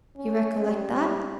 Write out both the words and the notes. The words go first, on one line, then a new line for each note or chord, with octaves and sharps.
You recollect that?
C#4
G3